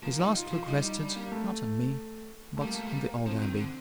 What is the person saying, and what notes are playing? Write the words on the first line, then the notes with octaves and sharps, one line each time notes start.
His last look rested--not on me--but on the old Abbey.
F3 A#3
G3 D#4
F4
F3 F4
G3 D#4
D#4
D4
A#3
A3
A3
G3 A#3
A3
G3
A#3
F3 C4
D#3
D3